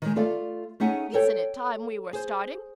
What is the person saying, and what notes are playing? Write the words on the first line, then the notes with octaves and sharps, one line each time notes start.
"Isn't it time we were starting?"
D#3 G#3
A3 F4 A4 D5 F5
A3 C#4 D#4 G#4 E5 F#5
A4 C#5 G5
G#4 C5